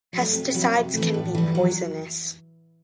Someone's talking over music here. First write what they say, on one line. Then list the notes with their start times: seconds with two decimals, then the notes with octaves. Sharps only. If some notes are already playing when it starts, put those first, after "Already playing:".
Pesticides can be poisonous.
0.13 F#3
0.18 A3
0.33 C3
0.54 F#3 B3 E4
0.73 C3
0.94 E3 A3
1.14 A2
1.35 E3 G3
1.55 F#3